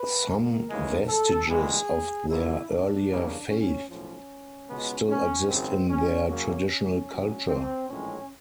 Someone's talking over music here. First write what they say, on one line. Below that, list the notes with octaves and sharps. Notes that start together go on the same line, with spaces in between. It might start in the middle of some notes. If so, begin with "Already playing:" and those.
Some vestiges of their earlier faith still exist in their traditional culture.
Already playing: B4
A#4
D#2 C#3 E3 G#3
A4
G#1 G2 E3 G#3 B3 G#4
A#1 G#2 F3 A#3 E4
D4
E2 C#3 E3 G3 A#3
C#4
B1 A2 F3 C#4
C#2 B2 G#3 B3
C#4
G#1 F#2 C#3 C4
C#4
F#2 C#3 F#3 A#3 C#4
C#4
A#1 A#2 F#3
C4
A#1 A2 E3 G#3 C#4